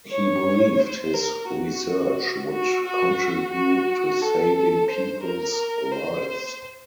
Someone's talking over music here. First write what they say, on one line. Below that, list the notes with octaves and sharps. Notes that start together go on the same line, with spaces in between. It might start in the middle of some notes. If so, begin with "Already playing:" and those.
He believed his research would contribute to saving people's lives.
C#5
C5
A#4
F#4
F#4
F#4
F#4
A4
C5
A#4
C5